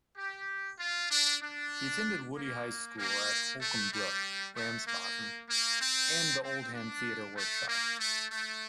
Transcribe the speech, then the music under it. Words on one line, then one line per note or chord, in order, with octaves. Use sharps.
He attended Woodhey High School at Holcombe Brook, Ramsbottom, and the Oldham Theatre Workshop.
G4
F4
D4
D4
A#3
A#3
A3
G3
A3
A#3
A#3
C4
C4
D4
A3
A#3
A3
A3